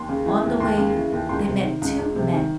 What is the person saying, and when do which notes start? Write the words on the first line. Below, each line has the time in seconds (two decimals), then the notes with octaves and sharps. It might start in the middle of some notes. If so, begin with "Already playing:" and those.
On the way they met two men.
Already playing: D#2 C6
0.09 C#3
0.26 E3
0.43 D#2
0.60 D#2 C6
0.77 C#3
0.96 E3
1.12 D#2
1.29 C#2 C6
1.47 C3
1.64 D#3
1.82 C#2
1.99 C#2
2.16 C3
2.33 D#3